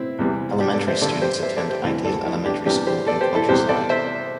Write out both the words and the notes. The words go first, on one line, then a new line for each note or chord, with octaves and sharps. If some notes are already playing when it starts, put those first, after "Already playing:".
Elementary students attend Ideal Elementary School in Countryside.
Already playing: C4 E4
E2 C3 E3 G3
D4 G4
A4 D5
C5 E5
G2 D3 G3 A4 D5
G4 C5
C5 E5
A4 D5
G4 C5
D2 C3 E3 G3 E4 A4
A4 D5
E4 A4
D4 G4
E2 C3 E3 G3 D4 G4
G4 C5
A4 D5
G4 C5
E4 A4
E2 C3 G3 G4 C5
A4 D5
C5 E5